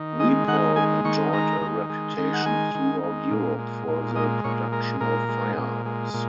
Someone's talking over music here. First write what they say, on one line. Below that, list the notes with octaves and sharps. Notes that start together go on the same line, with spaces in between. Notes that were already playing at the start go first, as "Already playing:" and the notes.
Ripoll enjoyed a reputation throughout Europe for the production of firearms.
Already playing: D#3
G#3 D#5
D#3 F#5
G#3 G#5
D#3 C#6
G#3 A#5
D#3
G#3
D#3
F#5
G#3 G#5
D#3
G#3
A#2
G#3
A#2
G#3 D#5
A#2 C#5
G#3 A#4
A#2 A#4
G#3
A#2
G#3
A#2